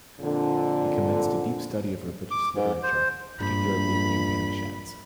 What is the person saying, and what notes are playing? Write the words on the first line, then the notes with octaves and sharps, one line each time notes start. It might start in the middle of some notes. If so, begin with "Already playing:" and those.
He commenced a deep study of religious literature, particularly the Upanishads.
F2 A#2 D3
D6
G#2
C5
A#1 G2 B5